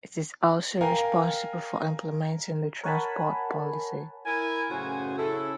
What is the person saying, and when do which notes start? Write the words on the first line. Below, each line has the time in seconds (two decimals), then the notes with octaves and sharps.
It is also responsible for implementing the transport policy.
0.81 A#4 F5 G5 G#5
2.84 A#4 C#5 F#5 G#5 A5 B5
4.26 E4 A#4 G#5
4.70 F#2 A2 C#3 F#4 C5 G#5
5.18 C#3 C#4 E4 A4